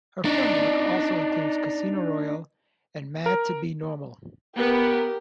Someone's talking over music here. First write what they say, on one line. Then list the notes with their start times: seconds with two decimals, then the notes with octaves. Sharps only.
Her film work also includes "Casino Royale" and "Mad to Be Normal".
0.25 D4 D#4
3.26 A#4
4.57 B3 G4 A#4